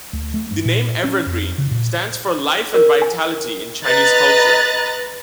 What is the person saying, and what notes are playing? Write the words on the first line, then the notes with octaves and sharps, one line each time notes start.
The name "Evergreen" stands for life and vitality in Chinese culture.
D2
A3
G2
A#2
C#4
F2
C#3
A#2
A#4
G#5
B4 D#5 A#5 F#6 A6